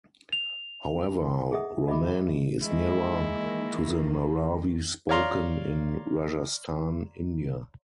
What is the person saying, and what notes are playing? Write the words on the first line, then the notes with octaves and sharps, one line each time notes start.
However, Romani is nearer to the Marwari spoken in Rajasthan, India.
F7
G#4 D#5 E5 F#5 D#6
F#4 D#5 E5 B5 D6
D#3 E3 G#3 A#3 E4
C#5 D5 F5 A#5 C6